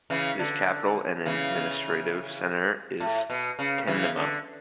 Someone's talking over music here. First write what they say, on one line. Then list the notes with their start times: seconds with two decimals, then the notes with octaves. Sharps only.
Its capital and administrative centre is Kenema.
0.10 C#3 E3
0.39 D3
1.26 C#3 E3
3.00 A2
3.30 B2
3.59 C#3
3.87 C#3 E3
4.17 D3